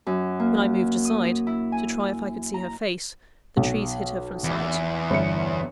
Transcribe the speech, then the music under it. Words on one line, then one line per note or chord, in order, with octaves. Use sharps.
When I moved aside, to try if I could see her face, the trees hid her from sight.
F#2
A#3
D#6
E4
G#5
A#5
B1
E2
G1 C#7